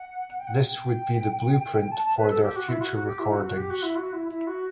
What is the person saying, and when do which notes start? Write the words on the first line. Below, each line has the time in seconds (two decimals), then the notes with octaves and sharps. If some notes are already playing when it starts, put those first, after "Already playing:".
This would be the blueprint for their future recordings.
Already playing: F#5
0.39 G5
0.47 F#5
0.54 G5
1.91 A5
2.04 A5
2.17 B4
2.30 A4
2.42 G4
2.56 F#4
2.68 E4
2.81 F#4
2.94 F#4
3.06 G4
3.19 E4
3.32 F#4
3.45 F#4
3.57 G4
3.70 F#4
3.83 E4
3.96 F#4
4.13 E4
4.30 E4
4.47 F#4